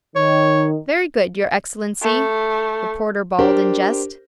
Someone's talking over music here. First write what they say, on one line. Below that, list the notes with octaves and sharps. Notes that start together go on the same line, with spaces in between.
"Very good, your Excellency!" the porter bawled in jest.
D#3 C#5
A3
D4 G4 A#4 C5